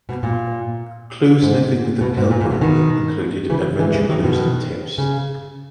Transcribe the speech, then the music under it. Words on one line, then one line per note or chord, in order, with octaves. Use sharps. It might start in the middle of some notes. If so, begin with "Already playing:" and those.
'Clue Sniffing With The Pilgrim' included adventure clues and tips.
B2
A#2
G#2
B2
G#2
A#2
A#2
B2
B2 D#3
C#3 E3
E3 G#3
E3 G#3
D#3 F#3
B2 D#3
C#3